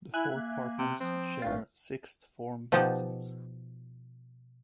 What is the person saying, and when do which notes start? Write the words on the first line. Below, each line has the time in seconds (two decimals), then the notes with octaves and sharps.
The four partners share Sixth Form lessons.
0.14 E4 E5 G#5 F#6
0.34 A#3
0.79 C3
1.00 F3 C4
1.42 G#1 G2 A3 F4
2.72 B2 F3 D#4 G4 F#5 A5